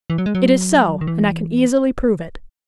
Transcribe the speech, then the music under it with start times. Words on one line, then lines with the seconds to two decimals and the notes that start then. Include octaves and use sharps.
It is so, and I can easily prove it.
0.10 E3
0.18 F#3
0.26 G#3
0.35 F#3
1.01 D#3
1.07 E3